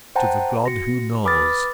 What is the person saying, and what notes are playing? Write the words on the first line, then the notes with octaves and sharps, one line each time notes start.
To the god who knows.
C5 F#5 G5 A5 A#5
F#4 A#6 C#7
B4 B5 D6 D#6 F6 A6